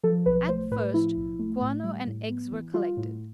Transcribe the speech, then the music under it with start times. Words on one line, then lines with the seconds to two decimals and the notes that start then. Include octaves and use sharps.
At first guano and eggs were collected.
0.03 F3 A4
0.26 B1 B4
0.48 A3 C5
0.71 A2 B4
0.94 F3 E4
1.16 B1
1.39 A3
1.61 A2
1.84 G3
2.07 A2
2.29 B3
2.52 E3
2.74 G3 F4
2.97 A2